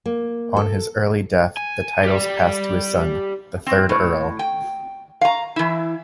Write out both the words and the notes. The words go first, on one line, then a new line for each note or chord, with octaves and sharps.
On his early death the titles passed to his son, the third Earl.
A#3
A4
G#5
G4 D5
C4
A2
G5
F5 A#5
E3 E4